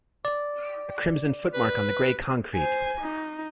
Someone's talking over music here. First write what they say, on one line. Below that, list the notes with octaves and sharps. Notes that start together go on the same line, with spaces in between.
A crimson footmark on the grey concrete!
D5
B4
C5 G#5
D#4